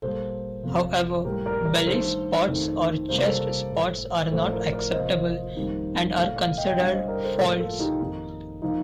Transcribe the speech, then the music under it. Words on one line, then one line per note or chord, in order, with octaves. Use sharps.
However, belly spots or chest spots are not acceptable, and are considered faults.
A#2 G3 A#3 A4 C5
F2 C3 F3
A2 G3 A#3 G4 A#4
A#4 D5
A#4 D5
G2 D#3 A3 A4 C5
F2 D#3 A3
C3 G3 A#3 C5
D5
A4 C5
A2 A3
A2 F3 A3 A4 C5
A#4 D5
A#4 D5
C3 F3 A#3 C5 D#5
F2 D#3 G3 A#3
A#2 A3 D5 F5
D5 F5
D#5 G5
G5
G2 D3 G3 D5 F5
C5 D#5
A#4 D5
A4 C5
A2 F3 A#3 F4 A4
F4 A4
D#4 G4
F2 D#3 A#3 D#4
F3 A#3 D#4